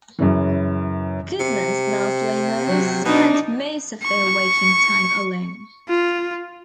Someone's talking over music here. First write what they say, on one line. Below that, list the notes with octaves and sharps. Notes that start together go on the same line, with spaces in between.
Goodman's mouse lemurs spend most of their waking time alone.
F#2 C#3 E3
C3
F#3
B2 D4 D#4
C#6
F4